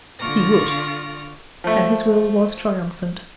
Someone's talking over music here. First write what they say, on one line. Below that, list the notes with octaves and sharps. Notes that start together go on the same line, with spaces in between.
He would; and his will was triumphant.
D3 F4 D5 C#6 F6 A#6
F3 A3